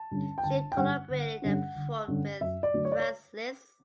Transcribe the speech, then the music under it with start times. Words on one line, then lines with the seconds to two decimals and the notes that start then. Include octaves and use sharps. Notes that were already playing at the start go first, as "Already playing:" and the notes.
She collaborated and performed with Franz Liszt.
Already playing: A5
0.11 G2 D3 G3 C#4
0.38 G5
0.44 G1 A5
0.72 G5
0.77 G2 D3 G3 C#4 F#5
1.09 G1
1.42 G2 D3 G3 C#4
1.75 G1
2.08 G2 D3 G3 C#4
2.41 F#2 E5
2.63 D5
2.74 D3 F#3 A3 D4
2.85 C#5
2.92 D5
3.00 C#5